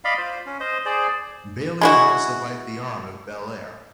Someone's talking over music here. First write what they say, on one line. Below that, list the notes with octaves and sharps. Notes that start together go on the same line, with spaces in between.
Bayley would also bite the arm of Belair.
D5 D#5 F5 B5
F4 C5
C#4
C5 D#5
G#4 C5 D5
G#3 E4 F#4